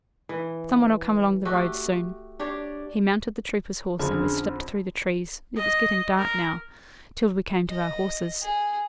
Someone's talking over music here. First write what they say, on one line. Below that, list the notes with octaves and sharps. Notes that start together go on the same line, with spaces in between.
Some one'll come along the road soon.' He mounted the trooper's horse, and we slipped through the trees--it was getting dark now--till we came to our horses.
E3
A3 F#4 G4
D4 G4 C#5 D5
F2 D3 C#4 D4 F4 G#4
D#5
A#4
D#5
G#4